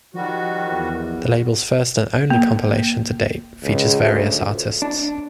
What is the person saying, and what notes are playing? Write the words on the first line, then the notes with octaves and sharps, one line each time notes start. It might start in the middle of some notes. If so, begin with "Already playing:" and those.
The label's first and only compilation to date featured various artists.
D#3 F3 G3 F#4
E2
A#3
C#2
D2
D4